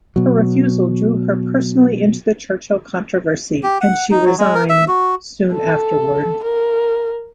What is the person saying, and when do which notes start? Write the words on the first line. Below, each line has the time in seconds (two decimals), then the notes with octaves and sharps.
Her refusal drew her personally into the Churchill controversy, and she resigned soon afterward.
0.16 B2 F#3
3.63 G4
3.81 F#5
4.11 D#4
4.25 F#3
4.38 G#3
4.55 A#4
4.69 E5
4.88 F#4
5.53 A4
6.44 A#4